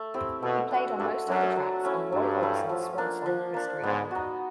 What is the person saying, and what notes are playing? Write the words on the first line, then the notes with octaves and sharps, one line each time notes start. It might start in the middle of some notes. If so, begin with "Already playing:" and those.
He played on most of the tracks on Roy Orbison's swansong "Mystery Girl".
Already playing: A3
C4 E4 G4
B2 A3
D4 F#4
G2 A3
F#2 D4 F#4
F#3
A3 C#4 E4
G2 F#3
A3 C#4 E4
F3
A#3 D4
F3
A#3 D4
G#2 B3
D#4 F#4